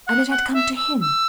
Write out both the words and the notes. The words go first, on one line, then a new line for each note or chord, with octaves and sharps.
And it had come to him!
F#5
F#5
E5
E6
E6